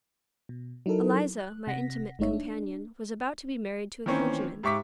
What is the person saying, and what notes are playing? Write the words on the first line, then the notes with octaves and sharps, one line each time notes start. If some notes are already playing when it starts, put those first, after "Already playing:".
Eliza, my intimate companion, was about to be married to a clergyman.
B2
F#3 D#4 E4 A4 A#4
F#6
C3 F#5 A#6 B6
G1 G#3 A3 D#4 C#5 E5
D4
D#3 E3 A#3 C4 C#4
G#2 G4 E5 C#6 D6 B6